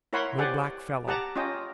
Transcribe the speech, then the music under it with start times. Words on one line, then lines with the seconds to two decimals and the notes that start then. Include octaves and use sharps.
No black fellow.
0.13 E4 A#4 C#5 F#5 B5 C6
0.38 G4 C5 D5 F#5 G#5
1.08 G4 F#5 A5 A#5
1.36 C#4 F4 D#5 G5